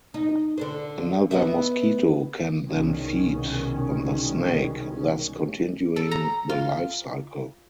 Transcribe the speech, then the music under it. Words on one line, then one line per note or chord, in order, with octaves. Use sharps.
Another mosquito can then feed on the snake, thus continuing the lifecycle.
D#4
D3 D4 C5
B3 D#5 E5
C2 B2 D#3 G#3 C#4
A4
A#5
F4